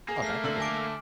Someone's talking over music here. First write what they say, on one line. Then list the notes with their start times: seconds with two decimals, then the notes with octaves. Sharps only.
Oh, that's neat.
0.08 A#3 G#4
0.22 A3 F6 C7
0.44 D3 A4 F#7
0.60 G#5 D6 D7